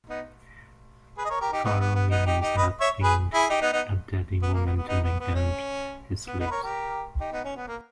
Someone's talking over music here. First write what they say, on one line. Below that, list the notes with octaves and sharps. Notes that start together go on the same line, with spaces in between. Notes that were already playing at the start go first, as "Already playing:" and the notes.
Pharoh's minions have been abducting women to make them his slaves.
B3 D#4
G#4 B4
D#5
A#4 C#5
G4 A#4
D#4 G4
B3 D#4
B3
B3
B3 D#4
D#4 G4
D#4 G4
B4 D#5
C#5 E5
G#4 B4
E4 G#4
D#4 G4
B3 D#4
B3 D#4
B3
A#3
B3
B3
B3 D#4
B3
B3
C#4
B3
B3 D#4
B4
A#4 C#5
G4 A#4
D#4 G4
B3 D#4
C#4
B3
A#3